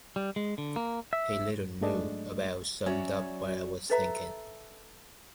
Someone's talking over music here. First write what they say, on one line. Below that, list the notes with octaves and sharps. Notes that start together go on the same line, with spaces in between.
He little knew, about summed up what I was thinking.
G3
G#3
D3
A#3
E5
G#2 F#3 G#3 A3 D4 D#5
F#3 C#4 F#4 C#5 D5 E5
A4 B4 E5 A#5